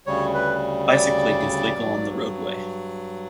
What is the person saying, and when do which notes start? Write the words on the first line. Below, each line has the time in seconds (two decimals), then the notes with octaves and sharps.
Bicycling is legal on the roadway.
0.06 D2 C#3 G3 C#5
0.34 B4
0.90 D5
1.74 G2 F#3